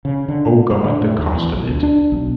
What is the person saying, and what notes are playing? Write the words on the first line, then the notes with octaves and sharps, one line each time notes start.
O God, the cost of it!
C#3
D3
A2
G2
D3
A2
D#2
E2
B1
D2
D4
B1